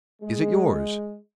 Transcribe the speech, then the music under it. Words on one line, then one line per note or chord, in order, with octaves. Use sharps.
"Is it yours?"
G#3